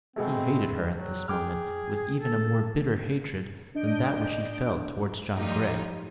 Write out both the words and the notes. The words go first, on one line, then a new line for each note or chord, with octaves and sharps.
He hated her at this moment with even a more bitter hatred than that which he felt towards John Grey.
B2 G#3 A3 C4
F#3
G#4 G5 D6 F6
A4
D4 D#5 G6 D7
F3 G3 A3 D#4 F4